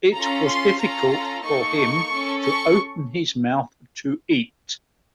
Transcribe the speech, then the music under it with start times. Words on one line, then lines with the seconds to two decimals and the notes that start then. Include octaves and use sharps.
It was difficult for him to open his mouth to eat.
0.14 C#4 F4 A4 A#5
0.47 C6
0.79 C#4 F4 A4 A#5
1.44 A#3 D#4 A4 C#6
2.10 C#4 A4
2.42 C#6